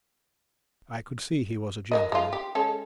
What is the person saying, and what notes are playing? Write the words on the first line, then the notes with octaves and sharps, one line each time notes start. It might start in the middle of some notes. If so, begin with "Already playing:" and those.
I could see he was a gentleman.
F#3 A#4 D#5
G#3 A3 F4
G4
G#3 C#4 A4